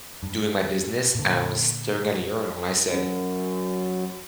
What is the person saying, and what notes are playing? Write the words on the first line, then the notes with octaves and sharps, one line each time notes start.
doing my business, and I was staring at a urinal, and I said,
G2
A#2 D3
F#2